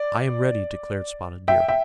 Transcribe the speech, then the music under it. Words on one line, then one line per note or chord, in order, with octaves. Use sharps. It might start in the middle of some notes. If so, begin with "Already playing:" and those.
"I am ready," declared Spotted Deer.
Already playing: D5
E5 G5
E5 G5